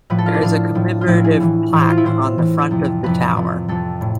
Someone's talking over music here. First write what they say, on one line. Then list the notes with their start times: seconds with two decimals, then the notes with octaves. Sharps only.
There is a commemorative plaque on the front of the tower.
0.10 A2 F3 B4
0.18 A4
0.26 F4
0.34 D4
0.42 A2 F3
0.75 A2 F3
1.01 F4
1.07 A2 F3 E4
1.24 G#4
1.40 A2 E3
1.73 A2 E3
1.81 C5
1.89 F4
1.97 E4
2.05 A2 E3 C5
2.38 A2 E3
2.71 F2 C3 F3
3.03 F2 C3 F3 B4
3.36 F2 C3 F3
3.68 F2 C3 F3 A4
4.01 A2